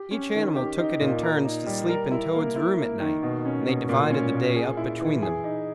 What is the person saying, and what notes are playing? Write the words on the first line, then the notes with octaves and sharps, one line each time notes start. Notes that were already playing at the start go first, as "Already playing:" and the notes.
Each animal took it in turns to sleep in Toad's room at night, and they divided the day up between them.
Already playing: G4
C#4
D#3
G4
D#4
A#2
A#4
D#4
G3
A#4
E4
A#3
E4
A#3
D#3
B2
C#4
B2
A#2
C#4
A#2
G#4
E4
E3
G#4
D#4